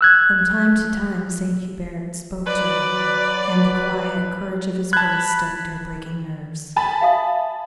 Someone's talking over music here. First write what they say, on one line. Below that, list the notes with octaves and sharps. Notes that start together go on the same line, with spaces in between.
From time to time Saint Hubert spoke to her, and the quiet courage of his voice steadied her breaking nerves.
E6 F#6 G#6
F#3 B4 D5
A5 B5 F#6 G#6
G#5 A5 B5
E5 F5 D#6